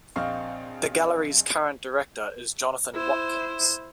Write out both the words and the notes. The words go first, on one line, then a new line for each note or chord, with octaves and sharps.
The gallery's current director is Jonathan Watkins.
A#1 C4 D#5 F5 C#6
E4 C5